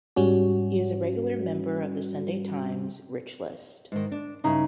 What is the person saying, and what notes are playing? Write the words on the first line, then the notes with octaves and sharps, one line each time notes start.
He is a regular member of the Sunday Times Rich List.
G#2 G3 C#4 F#4
G#2 D#3
D4
G2 C#3 D#4 E4